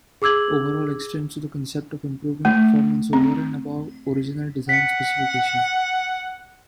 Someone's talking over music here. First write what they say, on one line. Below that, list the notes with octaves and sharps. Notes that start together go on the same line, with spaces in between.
Overhaul extends to the concept of improving performance over and above original design specification.
G#4 D6 E6 G#6 F#7
A3
C4
F#5 B6 C#7